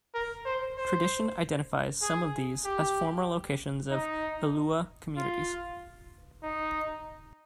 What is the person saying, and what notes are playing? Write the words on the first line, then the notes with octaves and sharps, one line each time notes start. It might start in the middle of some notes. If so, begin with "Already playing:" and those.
Tradition identifies some of these as former locations of Ulua communities.
A#4
C5
C5
G#4
G4
D#4
F4
D#4